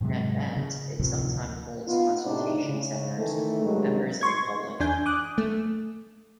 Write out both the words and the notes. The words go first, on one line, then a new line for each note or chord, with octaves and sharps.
In advance it sometimes holds consultation seminars with members and the public.
G#2 C3 F#3 G#3
C#3
D2 A2 C3 F3
B3 D#4 F4
A2 C3 D4 D#4
C#3
D#3 E3 A3
G2 D#3 F#3 G#3
C6 C#6 G#6
E2 D4 G#5 G6
D6 D#6 F#6
A3